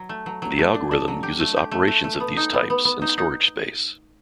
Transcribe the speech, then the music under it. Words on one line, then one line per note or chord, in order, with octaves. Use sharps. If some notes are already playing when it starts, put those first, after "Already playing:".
The algorithm uses operations of these types, and storage space.
Already playing: F#3
A3
F#3
F#3
A3
D4
D4
F#3
G4
A3
G4
A3
A3
A3
B3
D#4
B3
B3
B3
D#4
D#4